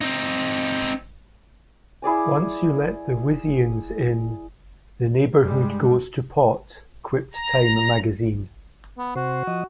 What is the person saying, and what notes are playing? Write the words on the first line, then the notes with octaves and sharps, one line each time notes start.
"Once you let the Wisians in, the neighborhood goes to pot," quipped "Time Magazine".
C4 D#4
E4 G#4 D5 G#5
G2 G3 G#3
A#5
B3
C3 F#4 C5
F3 D#5